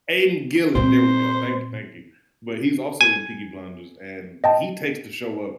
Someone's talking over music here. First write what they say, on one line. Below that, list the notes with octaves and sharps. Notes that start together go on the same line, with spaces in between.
Aiden Gillen, there we go. Thank you, thank you. But he's also in Peaky Blinders, and he takes the show up
A#2 C4 C5
G#5
D#5 G5 A5